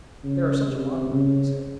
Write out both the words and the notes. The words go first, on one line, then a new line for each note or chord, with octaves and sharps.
"There are such a lot of them," he said.
C#3
C3
C#3